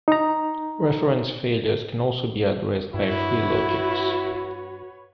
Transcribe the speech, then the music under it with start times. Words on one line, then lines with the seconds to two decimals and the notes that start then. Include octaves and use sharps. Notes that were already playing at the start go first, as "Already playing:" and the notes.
Reference failures can also be addressed by free logics.
0.08 D#4 A#5
2.94 G2 E4 F#4 B4 C#5